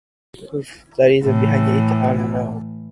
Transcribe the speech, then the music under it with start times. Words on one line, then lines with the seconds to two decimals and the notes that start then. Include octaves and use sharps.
The reasons behind it are unknown.
1.24 A2 E3